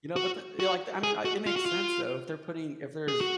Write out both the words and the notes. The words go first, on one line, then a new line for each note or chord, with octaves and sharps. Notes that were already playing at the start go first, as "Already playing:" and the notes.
You know, but then, you know, like, I mean, it makes sense, though, if they're putting if there's
F#4
F#4
G#4
F#4
F4
F#4
F4
G#4
F#4